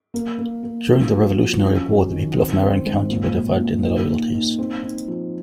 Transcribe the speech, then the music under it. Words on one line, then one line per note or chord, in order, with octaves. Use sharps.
During the Revolutionary War, the people of Marion County were divided in their loyalties.
A#3
A#3
A#3
F3
F#4
F3
C#4
F#2
D#3
C4
C4
G#2
A#2
A#2
A#2
D#4
A#3
D#4
C4
D#4
F3